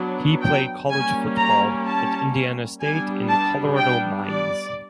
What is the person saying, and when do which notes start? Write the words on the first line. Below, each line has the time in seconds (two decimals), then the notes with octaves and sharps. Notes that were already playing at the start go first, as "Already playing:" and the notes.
He played college football at Indiana State and Colorado Mines.
Already playing: F#3 B3 D4
0.42 G5
0.90 G3 A#3 C#4 G#5
1.38 A#5
1.86 A5
2.82 G3 B3 D4 G#5
3.29 A5
3.77 G5
4.25 D5